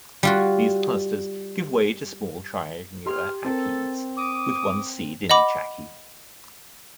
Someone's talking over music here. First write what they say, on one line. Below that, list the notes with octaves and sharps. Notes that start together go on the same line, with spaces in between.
These clusters give way to small triangular achenes, with one seed in each achene.
G3 F4 F#4
E2 G4 G#4 C6 F6
C4 A4 A#4
D6 D#6
D#5 F#5 B5 D6